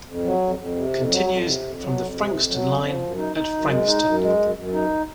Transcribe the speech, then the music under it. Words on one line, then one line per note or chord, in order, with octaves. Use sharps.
Continues from the Frankston line at Frankston.
F2
F#3
F2
F2
C3
F2
F#3
F2
C3
F2
F#3
F2
C3
F2
F#3
F2
F3
F#2
D#4
D#4
F#2
G#3
D#4
F#2
G#3
F#2
F#2
D#4